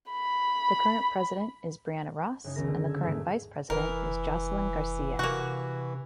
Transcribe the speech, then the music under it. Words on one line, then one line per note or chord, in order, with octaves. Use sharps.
The current President is Breana Ross, and the current Vice President is Joseline Garcia.
B5
F#1 C#3 D#4
C#2 D#3 B3 A#4 A#6
D3
E6 G#6
E2 G#2 G#3 A3
F1 E3 A#4
C3 A#3 F#4